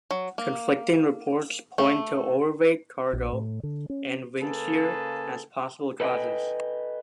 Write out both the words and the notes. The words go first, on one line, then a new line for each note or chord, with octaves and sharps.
Conflicting reports point to overweight cargo and windshear as possible causes.
F#3
A#3
A3
A#1
A2
D3
C#4
C#3 A#3 G#4 A4 B4
A4 B4 D#5 E5 G5 G#5